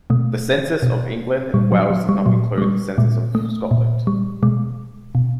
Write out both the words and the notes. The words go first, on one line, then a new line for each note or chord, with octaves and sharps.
The census of England and Wales does not include the census of Scotland.
B2 A3
B2
A#2 G3
F#3
F#3
G3
A#2 F#3
G#3
G3
A#2 G#3
A3
A#2
G3
B2 G#3
B2